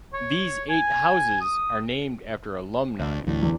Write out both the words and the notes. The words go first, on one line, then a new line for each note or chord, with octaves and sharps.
These eight houses are named after alumni.
C#5
G#5
D#6
D2
A1 D2
E2